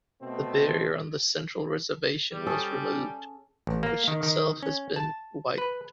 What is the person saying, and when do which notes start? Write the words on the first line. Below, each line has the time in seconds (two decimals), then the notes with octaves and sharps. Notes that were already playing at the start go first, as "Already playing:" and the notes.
The barrier on the central reservation was removed, which itself has been widened.
0.22 B2 A3 C4
2.33 G3
2.46 C#4 G#4 A4
3.67 A1
3.83 A#3
4.08 D#3
4.23 D#3
4.63 C#4
4.96 A5
5.58 B4